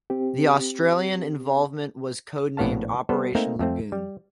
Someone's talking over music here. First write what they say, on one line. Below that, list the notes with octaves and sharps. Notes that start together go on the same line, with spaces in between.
The Australian involvement was codenamed Operation Lagoon.
C4 G4
A#1 A2 B3 C#5 F5 A5
G3 B3 A4 C5
A3 A#3 C4 D#4
F2 A3 C4
G3